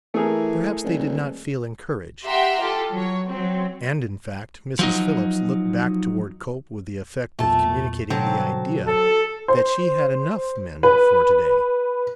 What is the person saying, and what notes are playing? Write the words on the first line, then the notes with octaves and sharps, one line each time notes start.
Perhaps they did not feel "encouraged." And in fact Mrs. Phillips looked back toward Cope with the effect of communicating the idea that she had enough men for to-day.
E3 A3 G#4 A#4
D#1
G4 E5 F#5 G5 A#5 C6
F4 G4 A4
F#3 C#5
F#3 C4
F3 F#3 D#4
B1 E2 A#2 A3 A5
B2 D3 F#3 C4 A5
A4
C5
B4